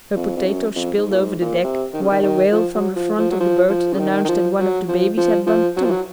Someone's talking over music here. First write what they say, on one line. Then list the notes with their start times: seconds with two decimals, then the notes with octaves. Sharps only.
Her potatoes spilled over the deck, while a wail from the front of the boat announced that one of the babies had bumped, too.
0.16 F2
0.37 F2
0.46 F#2
0.76 F2
0.98 G#2
1.11 A#2
1.20 G#2
1.41 A#2
1.64 C3
1.94 D#3
2.02 C#3
2.12 D#3
2.23 D#3
2.52 F3
2.75 F#3
2.96 F3
3.18 F3
3.31 F#3
3.40 F3
3.70 F3
3.93 C#3
3.99 D#3
4.25 D#3
4.29 F3
4.59 F#3
4.88 F3
5.18 F3
5.47 F3
5.77 F#3
5.84 F3
5.91 F#3